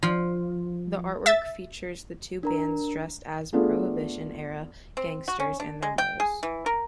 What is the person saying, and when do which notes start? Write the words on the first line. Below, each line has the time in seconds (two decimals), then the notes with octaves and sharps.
The artwork features the two bands dressed as prohibition era gangsters and their molls.
0.03 F3
1.26 E5 A6
2.43 D4 A#4 A#5
3.53 A3 B3 D4 F4 G#4
4.97 C4
5.28 F#4
5.40 C#4
5.60 D4
5.82 G#3
5.98 G5
6.20 G#4
6.43 E3
6.66 A#4